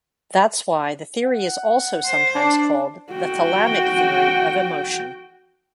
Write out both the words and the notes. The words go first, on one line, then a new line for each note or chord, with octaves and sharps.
That's why the theory is also sometimes called the thalamic theory of emotion.
F#5
C5
D4
F#4 G5